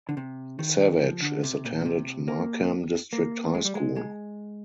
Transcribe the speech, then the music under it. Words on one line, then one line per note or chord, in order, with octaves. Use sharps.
Savage is attended Markham District High School.
D3
C3
D#3
F3
D3
C3
A#2
D3
C3
A#3
A#3
G#3
G3
G#3
G#3